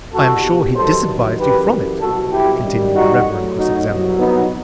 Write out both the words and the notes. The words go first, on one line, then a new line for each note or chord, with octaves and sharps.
"I am sure he disadvised you from it," continued the reverend cross-examiner.
C2 B2 G3 F#4 A4
G2 D#3 F#3 A4 C5
F#2 E3 G3 G4 B4
C2 B2 F#3 F#4 A4
E4 G4
F#2 D#3 G3
D#4 F#4
A2 F#3
D#4 F#4
C2 B2 F#3
B3 D#4